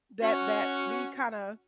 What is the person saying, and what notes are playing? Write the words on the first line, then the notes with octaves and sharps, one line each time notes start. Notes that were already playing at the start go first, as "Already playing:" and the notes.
that that we kinda
C#4 F#4